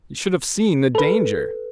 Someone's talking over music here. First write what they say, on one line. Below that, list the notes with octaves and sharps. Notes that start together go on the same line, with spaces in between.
"You should have seen the danger."
A4 B4